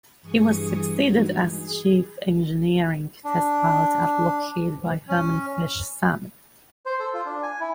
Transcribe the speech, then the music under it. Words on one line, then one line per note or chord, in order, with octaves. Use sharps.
He was succeeded as chief engineering test pilot at Lockheed by Herman "Fish" Salmon.
G2 E3 G#4 C#6 D#6
G2 E3 G#3 D#4 F#4 G#6
G#4
D4
C#4
C5
A4
F4
D4
G#5
E4